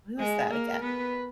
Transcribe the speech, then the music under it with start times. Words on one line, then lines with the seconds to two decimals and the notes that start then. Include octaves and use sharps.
Who is that again?
0.19 G#3 G#4
0.50 A#3 A#4
0.82 B3 B4